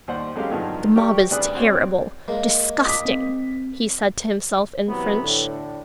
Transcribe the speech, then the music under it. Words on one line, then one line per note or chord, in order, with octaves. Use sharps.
"The mob is terrible--disgusting," he said to himself in French.
D#2 G3 C5 F#5
F#3 G#3 A3 C#4 G4 F5
G2 D3 D#3 F3 F#3 G#3
G4 A#4 D5 C#6
D2 G3 D4 G#4 B4 F#6
C4 F#4 C#5 D5
G#3 A#3
D6 D#6 B6
C4
C3 E3 F#3 B3
A2 D3